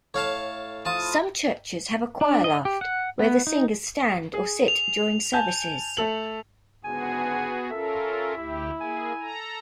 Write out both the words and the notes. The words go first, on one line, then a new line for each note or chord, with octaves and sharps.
Some churches have a choir loft, where the singers stand or sit during services.
A2 C#5 F5 A5
F3 F4 A5 B5 D#6
D4
D#5
G4
F#5
B3
D#4
G#4
F7
G#5 A5 G6
A3 A4 F#7
C#2 G#2 D3 B3 F#4 G#4 G#5
C#4 F4 A4 A#4 E5
D2 E4 G4
A#3 G#4 G#5
A4 A#5